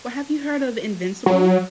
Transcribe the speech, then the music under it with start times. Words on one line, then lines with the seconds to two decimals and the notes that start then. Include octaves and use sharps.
Well, have you heard of Invincible?
1.26 F#3